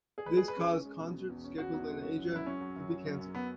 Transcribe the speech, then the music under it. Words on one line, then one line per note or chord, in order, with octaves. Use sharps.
This caused concerts scheduled in Asia to be cancelled.
G#4
G#3 B4
G#3 G#4
B4
C#4 G#4
C#4
G#3
B2
B2
E2
C#4
B2 F#4
E2
G#3
C#4
F#2
F#2 E4
F#3 C#4
F#3
F#2
F#3
F#2
F#2
F#3 B3